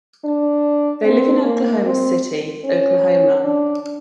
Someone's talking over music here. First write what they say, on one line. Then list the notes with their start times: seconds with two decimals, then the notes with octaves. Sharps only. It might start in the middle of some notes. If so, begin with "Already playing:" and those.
They live in Oklahoma City, Oklahoma.
0.25 D4
1.04 C4
1.44 A#3
1.85 C4
2.65 C#4
3.44 D4